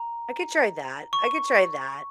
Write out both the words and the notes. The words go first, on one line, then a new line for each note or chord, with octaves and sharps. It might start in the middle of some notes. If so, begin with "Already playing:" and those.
I could try that, I could try that.
Already playing: A#5
C#6